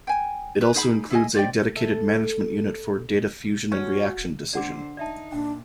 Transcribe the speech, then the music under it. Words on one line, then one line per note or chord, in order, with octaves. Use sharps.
It also includes a dedicated management unit for data fusion and reaction decision.
G5 G#5
B4
D#4 G#4 E5 B5
E4 G#4 D#5 G#5
C5 D5 D#5 G5
A4 E5
C#4 F#4
D3 C5 D5 F#5 D6
D#4 D5 E5 A5
A#2 D4 G5